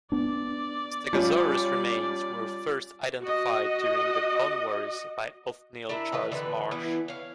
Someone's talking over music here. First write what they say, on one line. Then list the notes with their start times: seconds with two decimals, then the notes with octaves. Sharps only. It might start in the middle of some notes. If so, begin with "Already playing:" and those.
"Stegosaurus" remains were first identified during the "Bone Wars" by Othniel Charles Marsh.
0.12 B3 D4 D5
1.13 F3 G3 C#4 F4
3.21 F#4 D#5
5.89 D4 E4 A#4 E5
6.12 D#3 E3 B4 D#5
6.32 D3 E3 B4
6.71 E3 B3 E4
7.08 C#5 F5